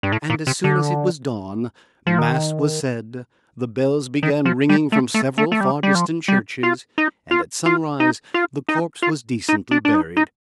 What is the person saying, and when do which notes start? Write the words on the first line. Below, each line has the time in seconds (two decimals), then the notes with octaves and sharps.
And as soon as it was dawn mass was said; the bells began ringing from several far-distant churches; and at sunrise the corpse was decently buried.
0.03 G2
0.12 A2
0.30 A#2
0.47 C3
0.64 D3
2.07 F3
2.18 D#3
4.23 D#3
4.45 F3
4.69 G3
4.92 A3
5.14 A3
5.38 A3
5.52 A3
5.61 G3
5.83 G3
5.95 F3
6.28 G3
6.63 F4
6.98 D#4
7.31 F4
7.66 F4
8.00 D#4
8.34 F4
8.69 D#4
9.02 F4
9.49 D#4
9.71 D4
9.85 D4
9.94 D#4
10.17 D#4